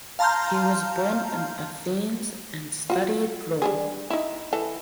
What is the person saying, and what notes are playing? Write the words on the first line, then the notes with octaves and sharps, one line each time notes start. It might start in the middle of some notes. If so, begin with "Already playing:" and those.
He was born in Athens and studied law.
F5 A5 A#5 C6 F6 G6
F4 F#4
G3 D4 G#4
D#4 E4
E3 A4